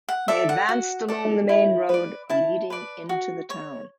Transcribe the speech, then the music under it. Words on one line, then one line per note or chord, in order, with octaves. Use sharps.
They advanced along the main road leading into the town.
F#5
A4 D5 E5
F#5
F#4
A4 D5
E4
B4 D5
E4 A5
B4 D5
F#4
C#5